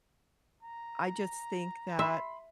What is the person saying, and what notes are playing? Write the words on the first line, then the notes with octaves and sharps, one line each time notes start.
I just think that,
A#5
E5 B5 C6